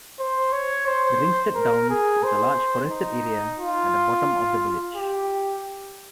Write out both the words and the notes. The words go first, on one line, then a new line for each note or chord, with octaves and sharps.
The Ringstead downs is a large forested area at the bottom of the village.
C5
C#5
C5
A#4
G#4
C5
D#4
F4
G4